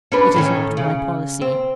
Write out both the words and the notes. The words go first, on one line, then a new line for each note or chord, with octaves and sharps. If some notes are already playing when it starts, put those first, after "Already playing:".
It is not my policy.
C#4 D4 B4
A2 D#3 C#4
C#3
C4